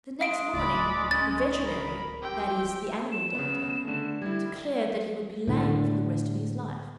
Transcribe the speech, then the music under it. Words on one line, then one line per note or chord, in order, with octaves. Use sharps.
The next morning the veterinary--that is, the animal doctor--declared that he would be lame for the rest of his life.
G#3 F5 D7
D1 C#2 D5 B5
C#4 A6
A#4 B5
C4 G4 G5
E7
C#3 B3
D3 A3
G3 E4 G#6
A2 D3